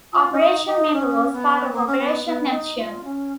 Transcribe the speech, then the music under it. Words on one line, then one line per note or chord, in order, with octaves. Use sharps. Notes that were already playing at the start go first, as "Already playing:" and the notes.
Operation Maple was part of Operation Neptune.
F4
C#4
D#4
D#4
C#4
B3
A#3
C#4
B3
B3
D#4
F4
C#4